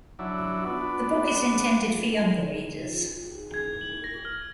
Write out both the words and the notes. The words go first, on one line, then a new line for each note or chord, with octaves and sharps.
The book is intended for younger readers.
F#3 D4 E4
B3 D4
G#6
F#7
A#6
F6